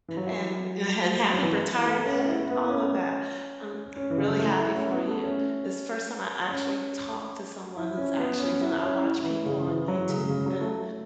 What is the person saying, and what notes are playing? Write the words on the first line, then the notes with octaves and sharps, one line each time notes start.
and an and happy retirement and all of that, um, I'm really happy for you. It's the first time I actually talked to someone who's actually doing it. I watch people on YouTube and
E3
F#3
F#3
E3
A3
C#4
E4
B3
C#4
C#4
E3
C#3
F#3
A3
E4
C#4
B3
A3
C#4
C#4
E4
C#4
B3
C#4
E4
C#4
E4
E3
C#3
E3
F#3
C#3
C#3
F#3
A3